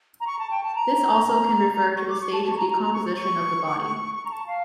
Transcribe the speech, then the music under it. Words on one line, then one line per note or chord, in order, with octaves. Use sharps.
This also can refer to the stage of decomposition of the body.
A#5
C#6
A5
G5
A5
A#5
A#5
C#6
D6
C#6
A5
A5
C#6
A#5
A#5
A#5
C#6
C#6
C#6
C#6
A#5
A5
F5